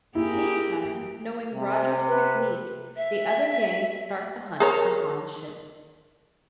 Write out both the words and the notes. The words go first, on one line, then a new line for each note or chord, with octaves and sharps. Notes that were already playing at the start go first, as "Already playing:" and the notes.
Meantime, knowing Rogers' technique, the other gangs start the hunt for Han ships.
A#3 E4 G4 G#4
C3
B4
E5
G#4 A#4 C#5